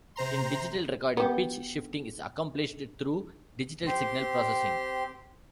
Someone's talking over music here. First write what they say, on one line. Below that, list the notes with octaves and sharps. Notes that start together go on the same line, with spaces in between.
In digital recording, pitch shifting is accomplished through digital signal processing.
C3 C5 A#5 C6
B3 G4
C4 G4 C6